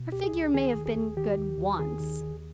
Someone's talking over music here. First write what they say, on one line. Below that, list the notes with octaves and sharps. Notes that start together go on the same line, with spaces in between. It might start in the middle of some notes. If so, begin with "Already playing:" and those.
"Her figure may have been good once."
Already playing: B2
C#2 G4
G#4
C#2
D#3 G#4
D#2
G#4
D#2
D#3 G4
D#2
D#2
D#3 G#4
D#2
D#2